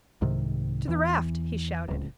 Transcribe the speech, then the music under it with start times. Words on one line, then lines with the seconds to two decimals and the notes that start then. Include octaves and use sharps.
"To the raft!" he shouted.
0.21 C2 G#2 C3 D#3
0.88 E2 E3
1.88 D1 C#2